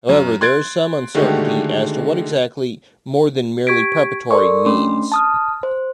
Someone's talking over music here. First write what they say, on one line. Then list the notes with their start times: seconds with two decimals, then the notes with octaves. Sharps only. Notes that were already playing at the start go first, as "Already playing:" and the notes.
However, there is some uncertainty as to what exactly 'more than merely preparatory' means.
0.09 F#2
0.41 C6 F#6 G#6 A6 D7
1.15 D3 D#3 G#3 A3 F#4 G4
3.67 G4 C#6 G#6 B6 D7
4.31 A4 A#4 D5 C6 C#6
4.66 A3 C#4 D4 C6
5.12 A5 D#6 F6
5.63 C5